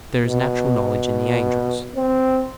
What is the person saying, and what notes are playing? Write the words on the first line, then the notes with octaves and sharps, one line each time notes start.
But there is natural knowledge in the angels.
B2
C4